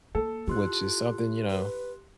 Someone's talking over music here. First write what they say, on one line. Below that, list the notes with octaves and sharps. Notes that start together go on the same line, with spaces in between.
which is something, you know,
A#3 A4
E4 F4 G4 C6 F#6
B4